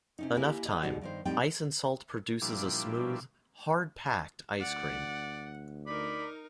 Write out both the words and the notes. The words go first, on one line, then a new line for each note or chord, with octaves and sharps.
Enough time, ice and salt produces a smooth "hard packed" ice cream.
C3 C#4 D#4
A#3 E4 G4 G#5
D#5
D#2 G#2 B2 G3 D#4 F#4
G2 D#3 C5
A2 G3 C4 D#4 G5
A#2 F3 G3 D4 E4
D2 D5 F#5
D#4 A#4 D5 B5